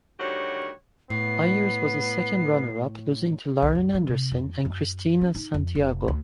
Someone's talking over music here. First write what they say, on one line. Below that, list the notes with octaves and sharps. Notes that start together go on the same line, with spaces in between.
Meiers was a second runner-up, losing to Lauren Anderson and Christina Santiago.
D2 D#3 G3 F#4 G4 C#5
A2 B3 C7
B1
F#2
F#3
C3
F2
F#2
C#4
D#4
F2
F1
D2